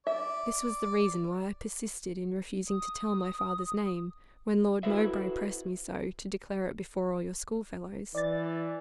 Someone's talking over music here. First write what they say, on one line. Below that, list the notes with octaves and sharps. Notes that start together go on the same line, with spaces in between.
This was the reason why I persisted in refusing to tell my father's name, when Lord Mowbray pressed me so to declare it before all your school-fellows.
D5 E5
D#6
E4 F#4 A4 B4 C5 E5
E3 D5 A6